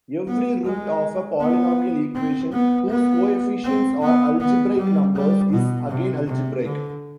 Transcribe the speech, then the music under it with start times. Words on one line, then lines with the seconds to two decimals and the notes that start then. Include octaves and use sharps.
Every root of a polynomial equation whose coefficients are "algebraic numbers" is again algebraic.
0.28 B3
0.65 G#3
1.40 B3
2.15 C4
2.52 B3
2.90 B3
3.64 C4
4.02 B3
4.40 B3
4.78 G3
5.15 G3
5.52 B2
5.89 C3
6.27 C3
6.65 D3